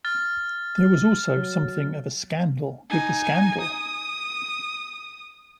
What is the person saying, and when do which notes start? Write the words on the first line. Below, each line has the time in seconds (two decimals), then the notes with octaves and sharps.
There was also something of a scandal with the scandal.
0.05 F6 A6
1.37 F#3
2.90 D#4 G#5
3.61 D#6